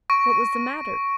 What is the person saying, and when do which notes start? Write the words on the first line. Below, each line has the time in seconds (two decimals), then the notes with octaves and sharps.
What was the matter?
0.10 C#6 A#6 D7